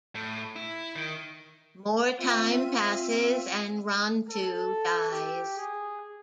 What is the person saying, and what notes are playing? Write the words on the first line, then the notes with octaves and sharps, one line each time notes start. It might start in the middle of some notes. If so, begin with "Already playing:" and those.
More time passes and Rontu dies.
A2
E4
D#3
C4 F4 E5 D#7
A4
G4
G#4